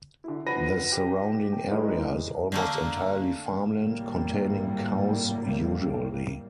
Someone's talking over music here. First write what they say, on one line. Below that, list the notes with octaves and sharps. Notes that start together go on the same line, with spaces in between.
The surrounding area is almost entirely farmland, containing cows usually.
D3 E4
F3 B4 F#5 B5 A#6 D#7
G4
G5
E3 G3 G#3 D#4 A#4 B4
D3 A3 A#3
G#1 F#2 A2 C3 G3 A#3